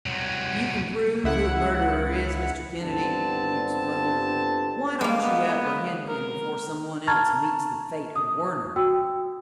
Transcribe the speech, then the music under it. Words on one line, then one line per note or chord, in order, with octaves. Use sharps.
"If you can prove who the murderer is, Mr. Kennedy," he exploded, "why don't you apprehend him before some one else meets the fate of Werner?"
C2 F#3
C#2 E4 F#5
G1 G2 D3 C4 A5
G3 G#3 A#3
B3
A#4
A5 A#5 C#6 F6 G#6 A6
D#6
F#4 G5 E6